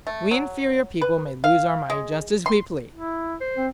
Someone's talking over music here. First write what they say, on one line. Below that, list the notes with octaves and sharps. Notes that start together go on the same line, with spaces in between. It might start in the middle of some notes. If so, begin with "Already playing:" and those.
We inferior people may lose our money just as we please.
A3
F#3
B4
F5
G#3
C6
E4
C5
C4